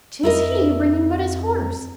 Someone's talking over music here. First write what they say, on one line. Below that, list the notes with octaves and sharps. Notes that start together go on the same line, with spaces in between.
'Tis he bringing but his horse!
F2 E4 A#4 D#5